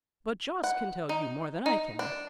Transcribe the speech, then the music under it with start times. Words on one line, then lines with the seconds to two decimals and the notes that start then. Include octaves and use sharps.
But Jost can tell you more than I can.
0.64 F#5
1.09 D#4
1.66 D#4
1.99 D4